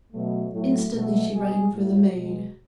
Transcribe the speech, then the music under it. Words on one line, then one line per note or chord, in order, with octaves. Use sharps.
Instantly she rang for the maid.
B2 F#3 A3
A2 F#3 A3
B2 F#3 A3
B2 G#3 G#4
A2 F#3 A3
B2 G#3